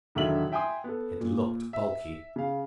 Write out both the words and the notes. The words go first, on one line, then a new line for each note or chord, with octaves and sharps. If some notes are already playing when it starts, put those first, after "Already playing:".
It looked bulky.
E1 D3 D#3 F#3 E5 F#7
E5 G5 G#5 C6 D#6
B3 A4
A#2
E5
C#3 F5